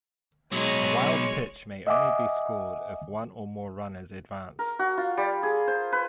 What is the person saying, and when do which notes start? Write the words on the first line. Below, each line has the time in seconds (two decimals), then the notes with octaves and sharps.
A wild pitch may only be scored if one or more runners advance.
0.52 B2 F#3 G#3 C#5
1.87 D#5 E5 F#5 G#5 D6 D#6
4.59 A#4
4.79 F#4
4.98 F4
5.17 G3
5.43 G#4
5.68 C5
5.92 B4